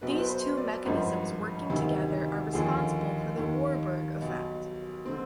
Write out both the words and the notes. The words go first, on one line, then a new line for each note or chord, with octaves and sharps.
These two mechanisms working together are responsible for the Warburg effect.
B1 B2 B4
C5
B4
C5
D5
G#1 G2 F3 C5
D2 C3 D#3
D#2 D3 F3 G#4
D#2 D#3
B1 B2
D3 C4